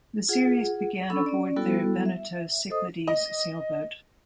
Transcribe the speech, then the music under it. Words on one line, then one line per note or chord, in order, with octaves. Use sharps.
The series began aboard their Beneteau Cyclades sailboat.
F4 G#4 F#5
C#4 D4 A4 B5 C#6 E6
C#4 D5
G3 B3 E4 F#4 A4
E5
A4 C5 D#5 D#6
D#5